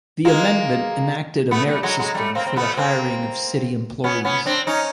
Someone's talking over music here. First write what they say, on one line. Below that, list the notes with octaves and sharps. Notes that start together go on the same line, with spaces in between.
The amendment enacted a merit system for the hiring of city employees.
G#3 A#3
A3 B3
G3 A3
F#3 G#3
F#3 G#3
G3 A3
A#3 C4
C4
A3 B3
A#3 C4
B3 C#4
B3 C#4
C4 D4
C#4 D#4